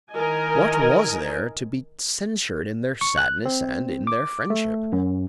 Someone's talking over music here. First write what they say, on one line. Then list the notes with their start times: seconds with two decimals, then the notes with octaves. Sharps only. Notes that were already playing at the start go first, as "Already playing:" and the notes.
What was there to be censured in their sadness and in their friendship?
0.13 D#3 E4 A#4 D#5 G#5
3.01 C#6
3.18 F#6
3.45 C4
4.07 D6
4.50 A3
4.92 F#2